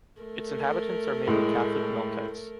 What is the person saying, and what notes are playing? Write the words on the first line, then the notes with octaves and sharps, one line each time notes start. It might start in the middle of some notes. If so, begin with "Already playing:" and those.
Its inhabitants are mainly Catholic Melchites.
A3 A#4
A2 G#3